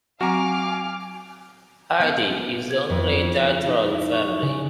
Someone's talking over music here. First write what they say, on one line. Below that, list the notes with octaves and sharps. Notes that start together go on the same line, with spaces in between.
Heidi is the only daughter of the family.
F#3 C4 F#4 F5 G#5 A#5 D6 F6
B3
F6
G#6
F2
E4
D#4
E4
C#6
C#3